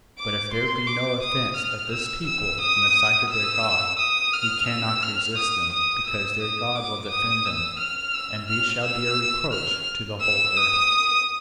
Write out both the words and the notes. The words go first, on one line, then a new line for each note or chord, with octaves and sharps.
But if there be no offence of this people in the sight of their God, we cannot resist them because their God will defend them: and we shall be a reproach to the whole earth.
D6
C6
D6
D#6
F6
E6
E6
D#6
E6
D#6
F6
E6
F6
D#6
D#6
E6
D#6
D6
D#6
E6
F6
E6
F6
E6
F6
E6
D#6